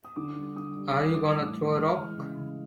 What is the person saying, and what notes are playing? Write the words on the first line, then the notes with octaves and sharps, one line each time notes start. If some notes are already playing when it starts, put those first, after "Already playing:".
Are you gonna throw a rock?
D#6
D3 D6
G3
D3 D#6
G3
D6
G3 D#6
E3 D6
D#6
A2
A2
G#3 F6
E3
C#3
C#3